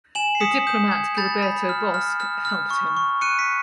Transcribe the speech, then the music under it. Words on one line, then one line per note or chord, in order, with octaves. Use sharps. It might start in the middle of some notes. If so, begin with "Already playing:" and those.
The diplomat Gilberto Bosques helped him.
G#5 E7 F#7
C7
D#6 B6 C#7
D#6 G6
G6 G#6
B5 G6 A6
B5
F6
F6
F6
F6
C#6
C#6
F#6 C#7 D#7
B6 C#7